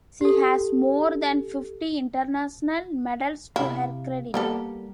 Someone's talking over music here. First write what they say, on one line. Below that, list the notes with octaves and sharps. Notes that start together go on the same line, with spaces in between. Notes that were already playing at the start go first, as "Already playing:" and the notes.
She has more than fifty international medals to her credit.
G4 A4
C3 E4 F5
G3 A#3 B3 G4 A4 A#4